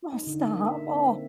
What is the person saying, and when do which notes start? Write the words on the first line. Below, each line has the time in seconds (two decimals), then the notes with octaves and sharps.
Oh, stop. Oh
0.13 D#4
0.27 D3
0.44 A#3
0.65 E5
0.94 C4